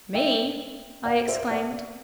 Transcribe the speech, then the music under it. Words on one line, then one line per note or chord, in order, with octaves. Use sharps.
"Me!" I exclaimed.
E5 G5
D5 F#5
C5 E5
D5 F#5